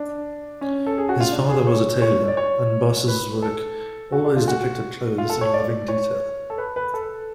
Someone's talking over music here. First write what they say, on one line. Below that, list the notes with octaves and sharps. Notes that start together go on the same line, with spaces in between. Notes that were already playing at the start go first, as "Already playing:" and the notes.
His father was a tailor, and Bosse's work always depicted clothes in loving detail.
Already playing: D4
C#4
A4
G#4
F#4
F4
D4
G#4
C#5
C#5
D5
C#5
B4
A4
F#4
D4
F4
F#4
F4
A4
C#5
D5
C#5
A4
B4
B4
A4